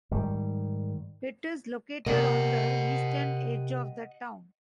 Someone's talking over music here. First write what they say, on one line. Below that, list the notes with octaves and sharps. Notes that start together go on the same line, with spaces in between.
It is located on the eastern edge of the town.
G#2 D#3 G3
C3 A#3 D#5 F#5